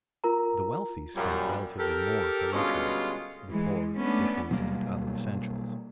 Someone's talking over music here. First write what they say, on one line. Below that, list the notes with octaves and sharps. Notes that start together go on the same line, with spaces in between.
The wealthy spend relatively more for luxuries, the poor for food and other essentials.
F4 A#4 A#5
F#2 A#2 G3
G4 A4 A#4
G2 B2 D3 G#3 C#4 F4
E3 G#3
A3 B3 C#4 D4
B2 F#3 G3 A#3